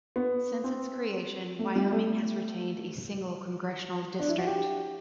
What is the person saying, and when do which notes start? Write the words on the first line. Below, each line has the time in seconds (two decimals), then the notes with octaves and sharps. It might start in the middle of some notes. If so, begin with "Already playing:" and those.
Since its creation, Wyoming has retained a single congressional district.
0.16 B3
0.64 C4
1.59 A3
1.76 G3
1.92 A3
4.20 D4
4.29 E4
4.38 F#4
4.47 G4